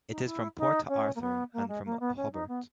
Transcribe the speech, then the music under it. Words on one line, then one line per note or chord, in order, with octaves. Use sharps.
It is from Port Arthur, and from Hobart.
D#4
E4
D#4
C#4
A#3
B3
A#3
G#3
A#3
B3
C#4
D#4
B3